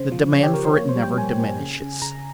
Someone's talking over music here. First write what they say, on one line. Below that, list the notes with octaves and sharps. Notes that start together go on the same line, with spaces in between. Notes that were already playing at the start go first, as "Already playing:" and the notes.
The demand for it never diminishes.
Already playing: C#3 C5
F3
C#3 C#5
G4
F3 A#4
C5
A#3 C#5
C5
G3
G5
A#2 G#5
A#3
C#3
C#3
C#3 A#5